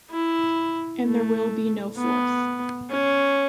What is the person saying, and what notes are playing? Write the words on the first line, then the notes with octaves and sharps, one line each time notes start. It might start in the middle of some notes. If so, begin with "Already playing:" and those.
And there will be no fourth.
E4
A3
B3
C#4